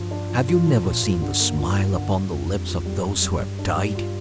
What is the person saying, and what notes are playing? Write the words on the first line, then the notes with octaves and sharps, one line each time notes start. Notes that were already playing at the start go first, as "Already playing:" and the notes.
Have you never seen the smile upon the lips of those who have died?
Already playing: G2 F3
D4
F3
F4
A#2 F3
A#2 F3
G2 F4
D3
A#3
F4
F4
D3
D3
F2 F4
G3
F4
G3
G3
G3
G2 G3
D4
G3
F4